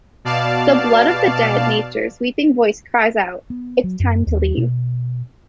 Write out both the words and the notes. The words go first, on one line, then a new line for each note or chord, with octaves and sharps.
The blood of the dead, nature's weeping voice cries out: it's time to leave.
B2 D5 F5 A5
B3
F#3
F#2
D#2
B2